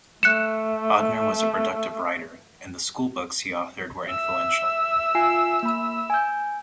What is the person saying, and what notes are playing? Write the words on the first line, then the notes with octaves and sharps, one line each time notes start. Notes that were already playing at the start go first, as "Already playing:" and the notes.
Odhner was a productive writer, and the schoolbooks he authored were influential.
A3 F#6 C#7 E7
E5 E6
F4 G#5 C7
A#3 B5
G#5 G6